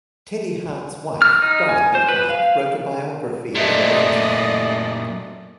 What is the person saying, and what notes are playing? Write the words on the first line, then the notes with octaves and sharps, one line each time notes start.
Teddy Hart's wife, Dorothy Hart, wrote a biography of Lorenz Hart.
F6
D#4
G#5
C5
B4
F5
F#2 A#2 A3 D5 D#5